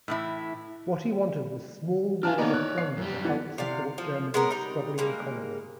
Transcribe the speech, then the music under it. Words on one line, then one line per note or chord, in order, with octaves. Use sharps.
What he wanted was small wars of plunder to help support Germany's struggling economy.
A2 E3 E4
D4 F5 G#5 A5 F6
A#3 B3 D#4 C#5 D5
F#6
C7
F#2 G3
E3 B3
C3 D5 F5
F3
G#3 B3 C#4 A#4
G3 D#4
G3 G#3 A#3